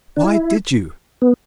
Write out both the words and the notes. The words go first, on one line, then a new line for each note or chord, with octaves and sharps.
"Why did you?"
D4
E4
B3